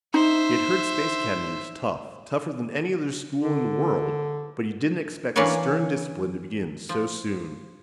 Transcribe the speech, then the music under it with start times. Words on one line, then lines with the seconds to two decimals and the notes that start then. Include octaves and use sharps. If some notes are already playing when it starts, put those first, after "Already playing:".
He had heard Space Academy was tough, tougher than any other school in the world, but he didn't expect the stern discipline to begin so soon.
0.14 D#4 C5 E5
3.42 D3
5.36 E3 A#3 C#4 D4 B4 C#5
6.89 F3